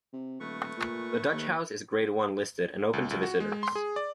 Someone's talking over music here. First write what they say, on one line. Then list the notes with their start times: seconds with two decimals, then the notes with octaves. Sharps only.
The Dutch House is Grade One listed, and open to visitors.
0.13 C3
0.40 D#1 A3 B4 C#6
0.77 A#2
1.33 D#2
2.93 C#2
3.10 C#2
3.23 F#4
3.40 G#3
3.63 C6
3.75 G#4
3.96 D5